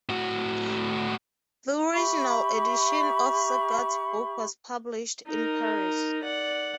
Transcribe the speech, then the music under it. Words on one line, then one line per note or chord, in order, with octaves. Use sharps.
The original edition of Sagard's book was published in Paris.
A2 F#4
G4 E5 B5 C#6
D#4 A#4
D5 F#5